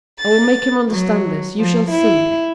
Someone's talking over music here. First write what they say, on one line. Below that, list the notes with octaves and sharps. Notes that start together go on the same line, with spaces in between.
I will make him understand this, you shall see.
A6
F#3
F3
E4